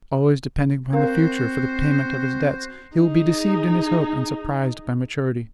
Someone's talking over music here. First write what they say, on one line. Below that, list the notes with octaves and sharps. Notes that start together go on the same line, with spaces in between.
Always depending upon the future for the payment of his debts, he will be deceived in his hope, and surprised by maturity.
C4 F#4 A#4 C5 F5 A#5
D#4 G#4